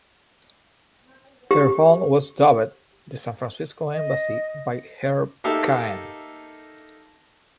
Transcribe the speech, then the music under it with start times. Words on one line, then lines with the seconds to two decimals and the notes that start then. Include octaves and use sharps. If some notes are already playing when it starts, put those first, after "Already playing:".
Her home was dubbed the "San Francisco Embassy" by Herb Caen.
1.51 G4
3.92 D#5
5.44 A#3 D#4 G4 A4 E5 A5